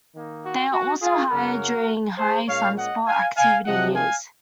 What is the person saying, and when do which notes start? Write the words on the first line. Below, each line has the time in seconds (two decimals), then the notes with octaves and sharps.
They are also higher during high sunspot activity years.
0.14 D#3 A#3 D#4
0.44 F#4
0.72 F#4
1.01 F4 G#4
1.30 F#2 C#3 F#3 A#3 C#4 F#4 A#4
2.18 G#4 C5
2.48 A#2 G#3 C#4 C#5 F5
2.77 D#5 F#5
3.06 F5 G#5
3.36 F5 G#5
3.64 C3 F3 G#3 D#5 F#5
3.94 F5 G#5